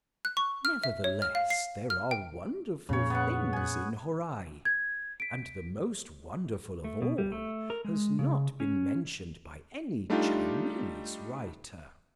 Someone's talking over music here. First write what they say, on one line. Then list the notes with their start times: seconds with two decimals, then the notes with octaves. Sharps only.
Nevertheless there are wonderful things in Horai; and the most wonderful of all has not been mentioned by any Chinese writer.
0.25 F#6
0.37 C#6
0.65 F6
0.84 E5
1.04 C#5
1.22 F6
1.35 F5
1.50 C7
1.90 F6
2.11 G5
2.89 F2 A#2 C#3 C#5
3.10 B3 F#5
3.53 F#5 G#5
4.65 G#6
5.20 B6 D7
6.84 A3
7.02 B2
7.18 G3
7.32 A3
7.70 A#4
7.85 G#3
8.19 C#3
8.60 C#4
10.10 G3 A3 D4 D#4 F4 G4